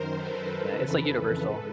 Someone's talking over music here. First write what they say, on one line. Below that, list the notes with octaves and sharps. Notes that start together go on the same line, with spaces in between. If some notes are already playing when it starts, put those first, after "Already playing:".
Yeah, it's like universal.
Already playing: F#2 D#3 A#4 C5
A4 B4
F2 C#3 E3 A4 B4
G#2